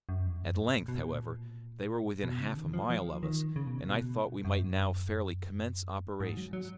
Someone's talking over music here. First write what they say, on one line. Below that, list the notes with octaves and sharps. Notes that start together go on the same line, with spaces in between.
At length, however, they were within half a mile of us, and I thought we might now fairly commence operations.
F#2
F2
F#2
G#2
A#2
B2
A#2
B2
C#3
D#3
F3
F3
D#3
C#3
B2
C#3
B2
F#2
G#2
F#2
G#2
F#3
F#3